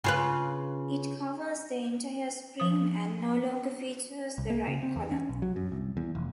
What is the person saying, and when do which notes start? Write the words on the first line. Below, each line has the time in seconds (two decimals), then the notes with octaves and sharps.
It covers the entire screen and no longer features the right column.
0.04 C#3 F4 B4
2.60 F3 D#6
4.38 C2
4.50 A#3
4.67 C#3
4.83 C4
4.96 E2
5.12 C#4
5.29 B1
5.42 F#3
5.56 F#2
5.72 C2
5.97 E2
6.15 F1